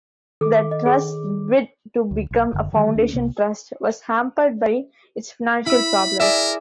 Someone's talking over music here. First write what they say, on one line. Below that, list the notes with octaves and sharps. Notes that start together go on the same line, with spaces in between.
The Trust's bid to become a Foundation Trust was hampered by its financial problems.
D#3 A4 D6
D#5
G#4 C#5
D2
B1
F#1 F#2 D3
D3 D#3 F3 G3
D2 C#4 D4
C2 G#2 C3 A#3
E4 B5 E6
G#4 A#4 D5 E5